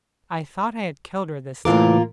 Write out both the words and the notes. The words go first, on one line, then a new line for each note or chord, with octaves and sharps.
I thought I had killed her, this time.
A2 E3 A#3 F4 A#4 D6